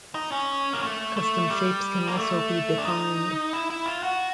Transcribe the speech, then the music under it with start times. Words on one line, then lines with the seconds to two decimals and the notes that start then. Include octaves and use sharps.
Custom shapes can also be defined.
0.15 D#4
0.32 C#4
0.73 A#3
0.83 A3
1.16 A3
1.50 G3
2.08 A#3
2.18 A3
2.78 D4
2.85 D#4
3.53 E4
3.70 E4
3.86 F4
4.03 F#4